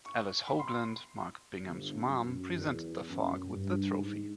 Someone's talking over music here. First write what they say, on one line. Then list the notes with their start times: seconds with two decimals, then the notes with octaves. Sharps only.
Alice Hoagland, Mark Bingham's mom, presented the Fog with the trophy.
0.06 C#6
0.48 B5
0.60 C6
1.63 G1
2.06 F#2
2.56 E2
3.08 F#2
3.48 G2
3.90 G#2